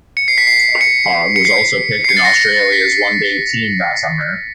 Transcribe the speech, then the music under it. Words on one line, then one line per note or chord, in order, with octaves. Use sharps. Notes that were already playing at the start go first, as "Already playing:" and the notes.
Hogg was also picked in Australia's one day team that summer.
C#7
C7
B6
C7
C#7
C#7
C7
C7
C#7
A6
A#6
B6